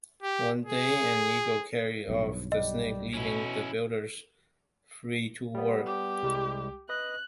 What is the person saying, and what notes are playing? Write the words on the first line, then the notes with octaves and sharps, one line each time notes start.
One day an eagle carried off the snake, leaving the builders free to work.
G4
G#4
B1 G2
G3 D#5
B2 C#4 E4
G3 B3
G4
C2 G3 G#3
B4 D#5 F#6